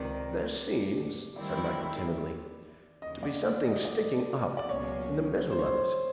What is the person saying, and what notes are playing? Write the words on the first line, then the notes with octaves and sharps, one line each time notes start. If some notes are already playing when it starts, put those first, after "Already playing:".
"There seems," said Michael, timidly, "to be something sticking up in the middle of it."
Already playing: C#2 C3 D#3 D5
D#3 G3 C4 E4 D5
D#2 C#3 E3 D#5
D5
D5
D#5
D5
D5
C#2 B2 F#3 A#3 C#4 C#5
C5
C#5
C5